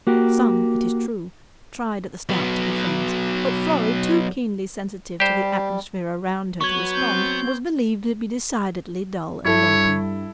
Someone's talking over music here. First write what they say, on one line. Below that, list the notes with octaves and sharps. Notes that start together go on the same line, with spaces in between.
Some, it is true, tried at the start to be friends, but Florrie, too keenly sensitive to the atmosphere around her to respond, was believed to be decidedly dull and mopy.
A#3 F#4 G4
F#3 B3
G3 G4 C5
F#3 B3 C#6 G#6
C4 G6
G2 E4 A4 C#5